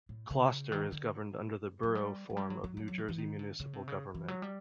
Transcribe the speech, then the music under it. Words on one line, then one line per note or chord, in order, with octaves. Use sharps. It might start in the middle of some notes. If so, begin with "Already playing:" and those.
Closter is governed under the Borough form of New Jersey municipal government.
A2
C#3
D#3
D3
F#3
G3
F#3
G3
F#3
F#3
F#3
F#3
E3
E3
D#3
D3
C#3
C3
C#3
E3
F#3
G3